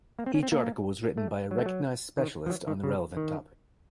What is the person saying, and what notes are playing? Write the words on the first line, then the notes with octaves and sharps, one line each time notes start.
Each article was written by a recognized specialist on the relevant topic.
A#3
C4
C#4
C4
A#3
A3
F#3
A3
F#3
D#3
F3
F#3
D#3
C#3
D#3